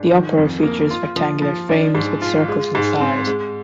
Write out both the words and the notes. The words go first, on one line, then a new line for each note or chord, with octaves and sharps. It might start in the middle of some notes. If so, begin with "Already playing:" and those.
The upper features rectangular frames with circles inside.
Already playing: G#2 D4
D#3
F2
A#3
F4
F3
F3
D4
G#2
F4
G#3
G#2
C4
G#3